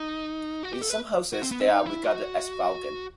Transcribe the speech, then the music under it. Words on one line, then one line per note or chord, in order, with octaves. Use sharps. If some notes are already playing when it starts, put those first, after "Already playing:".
In some houses they are regarded as vulgar.
Already playing: D#4
F#4
G4
A4
B4
F#4
C4
B3
C4
D#4
E4
F#4